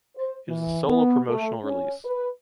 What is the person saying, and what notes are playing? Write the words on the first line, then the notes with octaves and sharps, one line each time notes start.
It is a solo promotional release.
C5
E3
B3
A3
C#4
B4